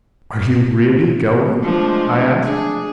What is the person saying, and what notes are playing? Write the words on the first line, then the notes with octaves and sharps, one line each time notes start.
"Are you really going?" I asked.
F3 G#3 A3 D4
D4 G#4